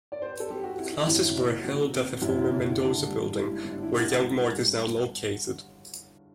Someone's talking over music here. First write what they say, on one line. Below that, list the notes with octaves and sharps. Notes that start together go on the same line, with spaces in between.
Classes were held at the former Mendoza Building, where Young Mart is now located.
D5
C5
B4
A4
F#3 G4
F#4
C4 E4
E4
F#2 E4
F#1
F#3
C4
F#2 E4
F#1
E4
D3 D4
G3
G2 E4
G1
D4
E4
D3 F#4
G3
G2